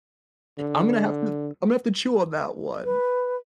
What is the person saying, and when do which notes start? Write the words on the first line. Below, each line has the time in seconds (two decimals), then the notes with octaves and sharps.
I'm gonna have to I'm gonna have to chew on that one.
0.58 D3
2.85 B4